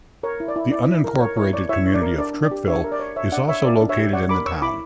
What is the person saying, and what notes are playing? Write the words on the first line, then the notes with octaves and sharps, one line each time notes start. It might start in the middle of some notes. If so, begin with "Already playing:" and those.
The unincorporated community of Trippville is also located in the town.
A#4 C#5
E4
D5
E4
E4 D5
E4
A#4
A#4 C#5
E4 C#5
C#5 D5
E4 C#5 E5
C#5
D5
A#4
D4 D5
D4
D5
G4
D4 C#5 E5
A#4
D5
C#5
C#5 E5
D4 D5 F#5
C#5 E5
A#4 D5
D4
C#5 E5
G4
C#5 D5 F#5
A#4 B5 D6
C#5 C#6 E6
E4 B5 D6